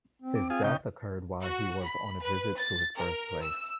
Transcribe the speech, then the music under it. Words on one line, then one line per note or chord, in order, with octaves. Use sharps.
His death occurred while he was on a visit to his birthplace.
C4
D6
F4 G#4 D#6
C#3 D#4 G5
F#4
B5
B4
A6
A#4
E6